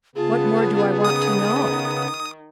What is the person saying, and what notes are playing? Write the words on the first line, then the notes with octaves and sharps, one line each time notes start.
"What more do I want to know?"
C#3 B3 F4 G#4 A5
D#3 D#6